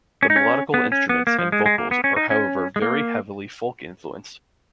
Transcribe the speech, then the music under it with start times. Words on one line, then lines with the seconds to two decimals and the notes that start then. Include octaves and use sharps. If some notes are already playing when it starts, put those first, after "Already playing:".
The melodical instruments and vocals are however very heavily folk-influenced.
0.23 C#4
0.30 D#4
0.36 C#4
0.74 B3
0.92 C#4
1.09 B3
1.27 A#3
1.39 F3
1.52 G#3
1.66 G#3
1.78 A#3
1.91 B3
2.04 C#4
2.16 D#4
2.30 C#4
2.76 G#3
2.82 A#3